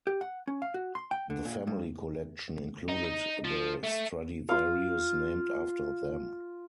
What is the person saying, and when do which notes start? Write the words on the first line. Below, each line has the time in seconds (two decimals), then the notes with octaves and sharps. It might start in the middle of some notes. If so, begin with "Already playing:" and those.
The family collection included the Stradivarius named after them.
0.07 G4
0.21 F#5
0.47 C#4
0.62 F5
0.74 F#4
0.95 C6
1.11 G5
1.30 D3
1.45 A#2
1.67 G2
2.89 D#4
3.04 D#4
3.45 F3
3.83 A3
4.49 F4 F5